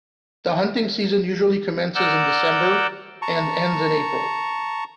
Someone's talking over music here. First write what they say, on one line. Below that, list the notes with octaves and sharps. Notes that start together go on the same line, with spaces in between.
The hunting season usually commences in December and ends in April.
A#4 D5 F#5 E6 G6
A5 A#5 C#6